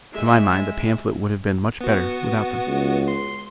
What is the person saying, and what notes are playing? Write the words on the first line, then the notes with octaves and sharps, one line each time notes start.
To my mind, the pamphlet would have been much better without them.
G#3 E5
B3 F#4
C#2
C6